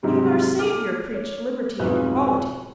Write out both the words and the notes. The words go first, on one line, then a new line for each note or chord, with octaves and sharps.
Even our Saviour preached liberty and equality.
G#2 C3 F#3 G3
A4 D6 F6
C#5
B1 F2 G#2 B4 F#6